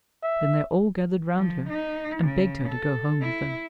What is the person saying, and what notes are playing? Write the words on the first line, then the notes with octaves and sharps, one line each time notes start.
Then they all gathered round her, and begged her to go home with them.
E5
F3
D#4
C#3
A4
E4